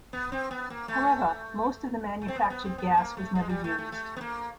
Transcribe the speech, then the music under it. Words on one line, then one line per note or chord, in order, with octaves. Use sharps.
However, most of the manufactured gas was never used.
B3
C4
B3
A#3
A3
A3
C4
B3
B3
C4
B3
A#3
A3
G#3
G3
A3
A3
A3
B3
A#3